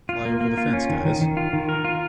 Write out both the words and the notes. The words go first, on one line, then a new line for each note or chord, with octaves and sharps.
Fly over the fence guys!
F4
A#3
A#3
F4
C#4
D#3
D#3
D#3
F4
D#3
A#4
F4